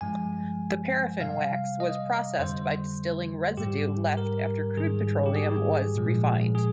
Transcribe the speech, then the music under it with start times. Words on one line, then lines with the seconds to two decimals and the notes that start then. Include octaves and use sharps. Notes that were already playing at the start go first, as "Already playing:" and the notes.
The Paraffin wax was processed by distilling residue left after crude petroleum was refined.
0.01 G2 F3 G#3 G#5
1.20 C3 G3 F5
1.80 D#5
2.39 F2 D3 G3 C5
3.57 G#2 G3 G4
4.17 A#4
4.77 G#2 D#3 G3 G#4
5.26 G4
5.36 G#4
5.95 A#2 F3 G#3
6.55 G#4